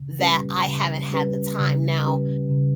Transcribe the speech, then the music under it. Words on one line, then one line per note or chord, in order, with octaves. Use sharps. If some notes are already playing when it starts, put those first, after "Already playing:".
that I haven't had the time. Now
Already playing: C#3
G3 C#4 G4 B4
C#3
G3 C#4 G4 B4
C#3
G3 C#4 G4 B4
C#3